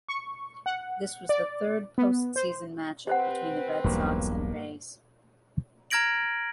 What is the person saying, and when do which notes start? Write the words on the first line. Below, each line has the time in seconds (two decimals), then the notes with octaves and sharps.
This was the third postseason matchup between the Red Sox and Rays.
0.09 C#6
0.66 F#5
1.29 D5
1.98 B3
2.36 C5
3.07 C4 G4 B4 C5 F#5
3.84 E1 B1 E2 G2 A#3
5.90 A#5 F6 G#6 A#6 D7 F#7